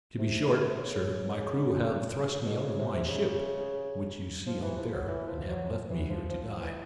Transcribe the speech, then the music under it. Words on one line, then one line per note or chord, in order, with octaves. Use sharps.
To be short, Sir, my crew have thrust me out of my ship, which you see out there, and have left me here to die.
C3
C3
C#3
B2
C3
C#3
C3
C3
C#3
F3
E3
F3
F#3
E3
F3
F#3
F3
E3
F3
F3
E3